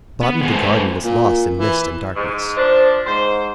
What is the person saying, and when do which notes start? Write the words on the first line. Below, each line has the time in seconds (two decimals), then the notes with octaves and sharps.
The bottom of the garden was lost in mist and darkness.
0.23 B3
0.41 D#3 F3 B3 G#4
0.53 G#3 C4 E4 A4 B4 C5
1.03 A#2
1.59 E3
2.16 G#2
2.57 F3 D4 C5
3.07 G#2 C5